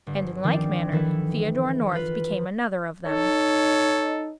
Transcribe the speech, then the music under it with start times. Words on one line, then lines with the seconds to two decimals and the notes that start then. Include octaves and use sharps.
And, in like manner, Theodora North became another of them.
0.07 G1
0.44 D#3 F3 C4 D4 D6
0.92 D#3 E3 E4 A4 B4
1.92 F4 B4
3.06 D#4 A4 C#5